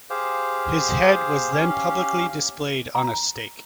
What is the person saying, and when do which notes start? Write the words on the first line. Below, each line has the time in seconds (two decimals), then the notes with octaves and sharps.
His head was then publicly displayed on a stake.
0.10 G4 G#4 C5 F5
1.52 C#4 G4 F5
2.95 A#5